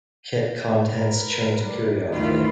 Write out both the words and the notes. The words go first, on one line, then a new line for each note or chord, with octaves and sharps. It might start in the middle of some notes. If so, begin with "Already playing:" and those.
Kit contents change periodically.
A#4 B4
G3
D2 D#3 E3 F4 B5